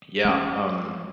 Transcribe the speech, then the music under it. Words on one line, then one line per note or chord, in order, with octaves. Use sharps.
Yeah. Um,
G#3 C#4